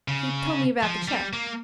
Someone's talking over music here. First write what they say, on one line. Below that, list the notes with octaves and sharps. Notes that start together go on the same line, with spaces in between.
He told me about the cheque.
C#3
F3
G3
A#3